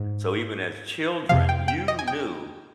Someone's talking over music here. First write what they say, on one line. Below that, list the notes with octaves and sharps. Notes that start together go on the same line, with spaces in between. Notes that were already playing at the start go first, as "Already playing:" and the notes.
so even as children, you knew
Already playing: G#2
F2 C3 F3 F5
G5
G5
D#5
G#5
G5